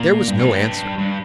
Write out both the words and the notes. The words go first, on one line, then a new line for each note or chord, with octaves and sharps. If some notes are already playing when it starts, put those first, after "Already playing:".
There was no answer.
Already playing: A#2
G2
A#2
G2
G2